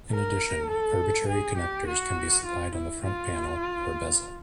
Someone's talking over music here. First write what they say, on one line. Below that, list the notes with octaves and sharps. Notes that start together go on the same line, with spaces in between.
In addition, arbitrary connectors can be supplied on the front panel, or "bezel".
A#4
A4
G#4
G4
F#4
F4
E4
F4